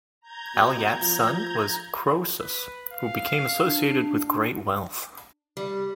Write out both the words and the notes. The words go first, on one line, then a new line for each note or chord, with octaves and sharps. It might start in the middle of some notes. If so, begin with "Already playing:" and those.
Alyattes' son was Croesus, who became associated with great wealth.
A#5 G6 G#6
B2
F3
B4
F5
D4
G3